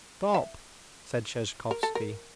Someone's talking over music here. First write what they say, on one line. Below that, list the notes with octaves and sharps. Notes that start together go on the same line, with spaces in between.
"Stop!" said Sheshkovsky.
E5
A#4
A4
A#4